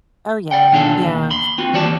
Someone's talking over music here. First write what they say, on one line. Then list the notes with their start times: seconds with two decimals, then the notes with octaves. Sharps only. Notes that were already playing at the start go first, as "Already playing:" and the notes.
Oh, yeah. Yeah.
0.51 D5 F#5 G5
0.72 B2 D#3 D4 F4 G#4 A4
1.02 D#2
1.31 B5 C6
1.58 C4 F4 F#4
1.73 D#2 E3 G3 C#5 D5 A5